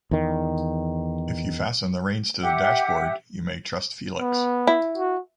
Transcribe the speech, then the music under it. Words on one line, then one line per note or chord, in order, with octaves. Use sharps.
If you fasten the reins to the dashboard, you may trust Felix.
E2 D#3
G4 E5 F#5
B3
E4
F#4